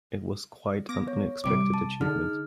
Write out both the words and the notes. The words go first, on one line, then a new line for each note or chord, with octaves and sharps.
It was quite an unexpected achievement.
B3 D6 A#6
C#5
A1 C3 G3 D6 D7
A5
D3 D#4 G#4 F6